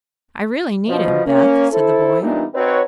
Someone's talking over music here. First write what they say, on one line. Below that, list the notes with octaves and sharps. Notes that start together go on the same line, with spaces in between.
"I really need him, Beth," said the boy.
B2 F3 D#5
A#3 C#4
E4 A4 C5
A#2 E3 G3 B3 D4 D#4
C4 D#4 F#4 B4 C#5